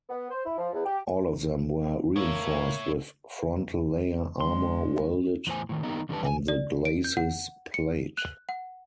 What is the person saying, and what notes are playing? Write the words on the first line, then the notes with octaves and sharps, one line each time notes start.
All of them were reinforced with frontal layer armor welded on the glacis plate.
B3
C5
E4
F3
E2
G4
A2 A#3 E4 C#5
D3 G#3 C6
E2 A2 C5 G#5
A2 D#3
D#3 G3 A#3 B3 D#4
E2 D3 D#3 G3 B4 A5
G#5
D5
D7
G6
F#5
C#7
F#6
F#5